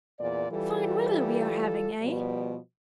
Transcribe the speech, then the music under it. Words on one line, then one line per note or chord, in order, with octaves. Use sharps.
Fine weather we are having, eh?
E2 A#2 D5
E3 G3 F4 A4
B2 F3 G3 B3